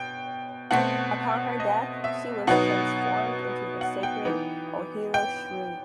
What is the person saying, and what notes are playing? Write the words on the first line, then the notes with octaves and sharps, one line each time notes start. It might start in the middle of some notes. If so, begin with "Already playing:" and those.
Upon her death, she was transformed into the sacred 'Ohelo shrub.
Already playing: B2 G5
B2 A3 C4 F#5
D#5
E5
B2 F#3 B3 D#4 F#5
F#5
G5
E3 B3 D#4
G5